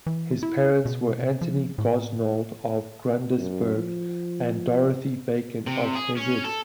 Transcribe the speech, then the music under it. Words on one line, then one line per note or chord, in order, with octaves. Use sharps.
His parents were Anthony Gosnold of Grundisburgh and Dorothy Bacon of Hessett.
E3
E4
B2
F3
A2
F#2
F3
C3
G#4
C#4
A4